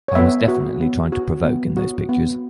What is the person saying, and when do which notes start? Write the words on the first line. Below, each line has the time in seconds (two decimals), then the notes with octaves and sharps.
I was definitely trying to provoke in those pictures.
0.08 C#5
0.15 B3 E5
0.48 F#4
0.80 B3
1.12 F#4
1.45 B3
1.77 F#4
2.09 B3